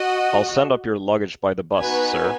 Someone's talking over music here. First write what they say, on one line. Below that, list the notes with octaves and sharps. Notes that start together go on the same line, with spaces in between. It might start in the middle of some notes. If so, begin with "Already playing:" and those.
I'll send up your luggage by the bus, sir.
Already playing: F#4 D#5 F#5
B3 D#4 F#4 B4 G#5